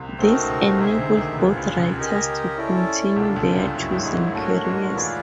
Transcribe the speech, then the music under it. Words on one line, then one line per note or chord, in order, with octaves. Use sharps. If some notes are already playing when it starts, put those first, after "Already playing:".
This enabled both writers to continue their chosen careers.
Already playing: C2 C3
C#2 C#3 A3 C4 D#4 F#4 A#4
C#2 C#3
C2 C3 D#4 G#4 C5 E5
D2 D3
D#2 D#3
D2 D3 F4 G#4 B4
C#2 C#3
C#2 C#3
G4 A#4 D#5 G#5
C#4 E4 A4 D5
C2 C3 D4 F4 A4
D3
C#2 C#3
G2 G3
F#2 F#3 E4 G#4 C#5
G2 G3
G#2 G#3
A#3
A2 A3 D4 F#4 A#4 C#5
G#2 G#3
E2 E3 F4 G#4 B4 D5